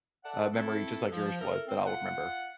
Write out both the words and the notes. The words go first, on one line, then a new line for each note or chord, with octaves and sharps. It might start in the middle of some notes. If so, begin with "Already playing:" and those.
uh, memory just like yours was that I'll remember.
A4 D5 E5 F#5
A3 C4 E4 A4
F3
E4 A4 A#4
C4
F4 F#5